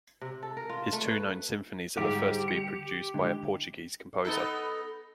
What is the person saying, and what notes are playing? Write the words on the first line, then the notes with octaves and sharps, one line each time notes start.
His two known symphonies are the first to be produced by a Portuguese composer.
C3
A4
A#4
F4
A3
B4
D2 G#2 G3 G4 F#5
C#7
D3 G#3 E4
B3 D#4 A4